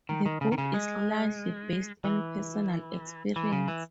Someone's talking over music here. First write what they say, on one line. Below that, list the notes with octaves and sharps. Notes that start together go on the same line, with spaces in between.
The book is largely based on personal experience.
D#3
D#3
C#3
D#3
C#3
G#3
E3
E3
C#3
E3